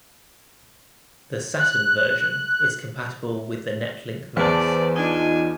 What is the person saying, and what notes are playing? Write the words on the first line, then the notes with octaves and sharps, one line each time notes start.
The Saturn version is compatible with the Netlink Mouse.
F#6
E2 B4 C5 D5 A5
D4 D#4 F4 D#5 G#5